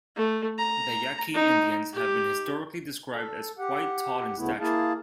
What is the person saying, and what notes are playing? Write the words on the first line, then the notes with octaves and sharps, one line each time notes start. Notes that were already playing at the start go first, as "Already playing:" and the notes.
The Yaqui Indians have been historically described as quite tall in stature.
A3
A#5
D#4
G4
A4
G4 F#5
D2 C#3 A3 B3 E4
A#3 E4 G#4 F5 A5